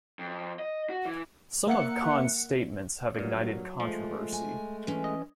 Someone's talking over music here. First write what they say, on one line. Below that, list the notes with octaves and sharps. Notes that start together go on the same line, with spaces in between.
Some of Khan's statements have ignited controversy.
F2
D#5
F#4
E3
A#3 A#4 E5 F#5 F#6 C#7
G2 A#2 F#3
F3 G#3 A3
G#5
E3 C#4
D#5